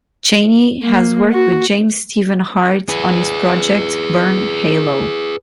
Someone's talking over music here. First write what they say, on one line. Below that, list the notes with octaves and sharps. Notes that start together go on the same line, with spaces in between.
Chaney has worked with James Stephen Hart on his project Burn Halo.
A#3
F#4
G#4 B4